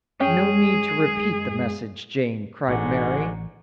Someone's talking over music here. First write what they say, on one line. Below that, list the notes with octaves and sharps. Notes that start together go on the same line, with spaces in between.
"No need to repeat the message, Jane," cried Mary.
F#2 G#3 C#4 G#4 G5
A1 G#2 D3 F#4